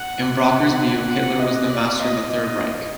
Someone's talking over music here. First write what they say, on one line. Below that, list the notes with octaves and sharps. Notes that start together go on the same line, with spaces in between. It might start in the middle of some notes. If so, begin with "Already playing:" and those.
In Bracher's view, Hitler was the "Master of the Third Reich".
Already playing: F#5
F#5
F#5
D#5
D5
D#5
D#5